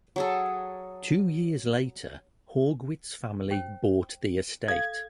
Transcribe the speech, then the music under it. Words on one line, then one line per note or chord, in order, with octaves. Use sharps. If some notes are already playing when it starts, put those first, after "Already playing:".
Two years later Haugwitz family bought the estate.
F#3 G#4 A4
C5 G5
A4 F5 G#6